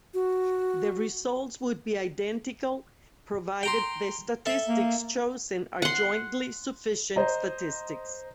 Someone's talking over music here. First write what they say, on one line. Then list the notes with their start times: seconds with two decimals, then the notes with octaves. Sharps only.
The results would be identical provided the statistics chosen are jointly sufficient statistics.
0.14 F#4
3.63 G5 A#5 C6
4.46 A4 E5
4.68 A#3
5.82 F#5 C6
7.16 C5 D#5 A#5